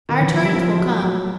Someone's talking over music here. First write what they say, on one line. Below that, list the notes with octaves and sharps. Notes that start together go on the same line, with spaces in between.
Our turns will come.
D#3
E3
F3
G3
F3
F#3
F#3